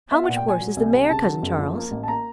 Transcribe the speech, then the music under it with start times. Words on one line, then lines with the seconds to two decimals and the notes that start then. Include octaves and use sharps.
"How much worse is the mare, cousin Charles?"
0.11 B3 E5
0.23 F#5
0.28 A#2
0.37 G5
0.44 A#2 G#5
0.61 F#3
0.76 C2
0.94 C2
1.10 C#3 A5
1.26 F#3
1.42 F#1
1.59 F3
1.75 A#3
1.91 A1
2.03 A5
2.08 A#3 A#5